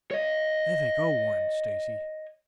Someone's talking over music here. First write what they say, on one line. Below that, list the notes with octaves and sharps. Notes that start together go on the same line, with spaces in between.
"There they go," warned Stacy.
C#5 D#5